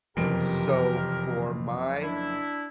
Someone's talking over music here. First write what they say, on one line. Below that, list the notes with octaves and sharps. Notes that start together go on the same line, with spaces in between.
so for my,
F#1 F2 C3 E3 G4 A#4 D7
D4 E4